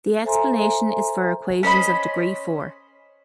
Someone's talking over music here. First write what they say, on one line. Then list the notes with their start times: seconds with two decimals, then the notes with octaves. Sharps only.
The explanation is for equations of degree four.
0.24 A4 C5 E5 G#5 A#5 C6
1.63 C#4 C5 D#5 B5